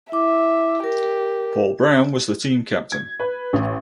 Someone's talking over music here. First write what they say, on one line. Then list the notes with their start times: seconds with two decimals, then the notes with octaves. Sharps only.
Paul Brown was the team captain.
0.12 E4 E5 D6
0.84 G4 A#4
2.92 G#6
3.20 B4
3.53 A1